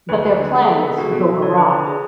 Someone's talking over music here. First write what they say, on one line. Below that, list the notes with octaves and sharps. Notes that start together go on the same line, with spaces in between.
But their plans go awry.
D2 B4
G#3
D3
G#3
B3 A4
B3 G#4
C#2 F#4
B2 A4
F#3
D3 C#5
D3 B4
D3
G#4